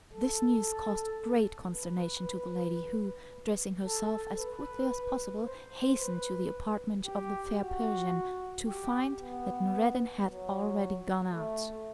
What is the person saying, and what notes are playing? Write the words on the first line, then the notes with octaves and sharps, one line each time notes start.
This news caused great consternation to the lady, who, dressing herself as quickly as possible, hastened to the apartment of the fair Persian, to find that Noureddin had already gone out.
A4
B4
A4
B4
C5
B4
G4
F#4
G4
B3
F#3
A3